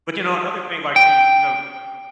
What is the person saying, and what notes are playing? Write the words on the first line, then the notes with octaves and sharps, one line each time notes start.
But you know, another thing, like, these, you know
G5